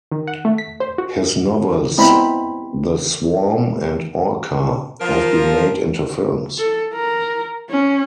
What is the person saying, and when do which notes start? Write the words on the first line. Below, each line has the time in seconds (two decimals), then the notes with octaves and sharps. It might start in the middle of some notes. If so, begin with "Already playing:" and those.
His novels "The Swarm" and "Orca" have been made into films.
0.12 D#3
0.27 F#5
0.45 A3
0.58 B6
0.80 C5
0.98 F#4
1.97 G#3 B3 C4 E4 A#5 B5
5.00 F3 A#4
6.58 A4
6.94 A#4
7.70 C#4